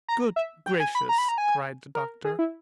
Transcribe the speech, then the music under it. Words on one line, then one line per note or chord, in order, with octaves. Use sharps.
"Good gracious!" cried the Doctor.
A#5
E5
G5
G#5
B5
A#5
B5
A#5
G#5
A#4
G#4
E4